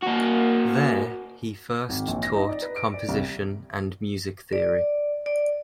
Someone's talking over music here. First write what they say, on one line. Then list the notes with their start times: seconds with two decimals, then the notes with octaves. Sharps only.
There, he first taught composition and music theory.
0.02 A#3 F#4
1.89 G#1
2.07 A#1
2.23 A#6
2.36 D#4
2.49 D5
2.62 B4
2.76 D7
2.94 D5
3.09 C2
4.53 D5
5.26 D5